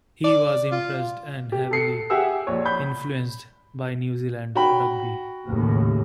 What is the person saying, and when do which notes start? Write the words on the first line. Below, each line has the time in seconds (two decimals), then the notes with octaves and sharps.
He was impressed and heavily influenced by New Zealand rugby.
0.24 D5
0.71 F4
1.52 G4
1.71 A4 C7 C#7
2.10 G4 G#4 E5 F#5 G#5 E6
2.47 A#1 C#5
2.65 B5 G6
4.55 F#4 G5 B5
5.45 D#2 A2 C#3